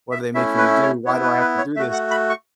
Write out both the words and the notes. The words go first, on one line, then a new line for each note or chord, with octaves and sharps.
what are they making me do? Why do I have to do this?"
E5
A3 C#4 E4 E5
B4
C#5
B3 E4 C#5
B4
B4
C#5
A3 F#4 E5
F#5
B5
C#6